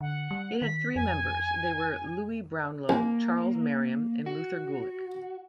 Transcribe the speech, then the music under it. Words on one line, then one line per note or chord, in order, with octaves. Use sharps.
It had three members; they were Louis Brownlow, Charles Merriam, and Luther Gulick.
D3 F#5
G3
D#3 B6
F2 G#5
C2 A#3
F#4